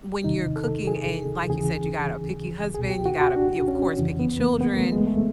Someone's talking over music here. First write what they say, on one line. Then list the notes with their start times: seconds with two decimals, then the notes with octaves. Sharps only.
when you're cooking and, like you said, you got a picky husband, you got a you of course, picky children.
0.24 E2 C3 D#3 D#4
0.56 A4
0.87 G#4
1.49 D#2 C#3 E3 G#4
2.74 C#2 G#4
2.79 B2
2.90 G4
3.06 F#4
3.21 F#4
3.36 D4
3.68 C#4
3.98 F2 C#3 E3
4.19 B3
4.40 A#3
4.61 B3
4.76 A3
4.92 G#3
5.07 A3